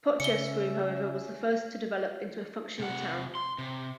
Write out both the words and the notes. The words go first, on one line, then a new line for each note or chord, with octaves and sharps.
Potchefstroom however was the first to develop into a functional town.
C#3 C#4 E5 C#7 G7
C3 F#5
C6
C3